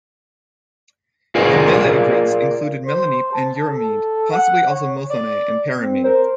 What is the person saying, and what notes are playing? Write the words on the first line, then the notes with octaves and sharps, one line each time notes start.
The Meleagrids included Melanippe and Eurymede, possibly also Mothone and Perimede.
F4 G#4 A#4 D5 D#5 F5
C5
A5
A4
F#5
C#5
D5
C4
A#4 C5